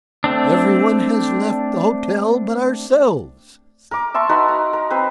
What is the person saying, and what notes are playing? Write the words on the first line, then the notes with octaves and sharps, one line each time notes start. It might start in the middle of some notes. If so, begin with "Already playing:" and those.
"Everyone has left the hotel but ourselves," said he.
A3 C4 D4
A#4 D6
E5 A5 C6 C#6
D#4 F#4 A#4 B4
A#5
A#4
C4 B4 C5